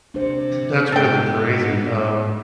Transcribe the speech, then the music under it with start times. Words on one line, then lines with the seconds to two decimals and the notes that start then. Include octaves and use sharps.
that's really crazy, um
0.14 C3 D4 C5
0.92 G#2 B3 A4 G5